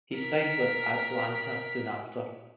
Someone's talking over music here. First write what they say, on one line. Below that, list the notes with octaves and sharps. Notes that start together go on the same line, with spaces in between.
He signed with Atlanta soon after.
A#4 B6